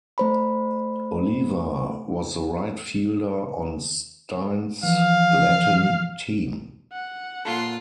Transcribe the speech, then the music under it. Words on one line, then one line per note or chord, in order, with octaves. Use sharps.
Oliva was the right fielder on Stein's Latin team.
A3 C5 B5
E3 F3 F5
F#5
A#2 F4 A4 C6